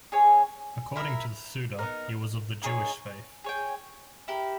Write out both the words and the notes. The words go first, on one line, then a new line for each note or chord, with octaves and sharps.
According to the "Suda", he was of the Jewish faith.
C#4 G#4 C#5
E4 A#4 E5
B3 D#4 A#4
A#3 D#4 G#4 C#5
G#4 C#5 G5
E4 G4 A#4